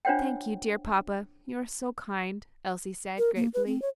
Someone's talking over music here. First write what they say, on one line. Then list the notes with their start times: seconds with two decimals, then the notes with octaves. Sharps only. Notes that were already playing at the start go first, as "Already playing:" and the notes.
"Thank you, dear papa, you are so kind," Elsie said, gratefully.
0.05 D4 F4 C5 C#5 F#5 G5
3.18 A#4
3.36 A#3
3.54 B4
3.66 C4
3.82 C#5